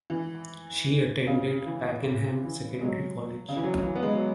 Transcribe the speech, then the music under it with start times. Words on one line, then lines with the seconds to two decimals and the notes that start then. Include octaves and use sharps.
She attended Pakenham Secondary College.
0.10 E3
1.27 C#3
1.66 E3
2.45 E3
2.81 G#3
2.85 F#3
3.49 C#3
3.56 E3
3.63 F#3
3.83 E3
3.95 B3
4.03 G#3
4.15 F#3